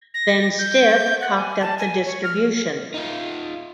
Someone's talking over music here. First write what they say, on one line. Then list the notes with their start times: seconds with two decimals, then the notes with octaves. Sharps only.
Then Stiff cocked up the distribution.
0.14 A#6
0.59 G6
1.21 F#5
1.36 G#5
1.61 A5
1.78 G#5
2.06 C#5
2.23 F6
2.94 D#4 F4